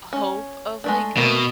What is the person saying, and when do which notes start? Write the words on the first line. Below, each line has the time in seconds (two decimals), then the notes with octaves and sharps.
hope of, like
0.13 C#4
0.84 G#3 A3 D4
1.17 B2 A3 A#3 C4